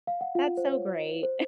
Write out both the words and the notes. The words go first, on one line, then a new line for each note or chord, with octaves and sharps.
that's so great.
F5
F#5
F4 F5
C5
C#5
C5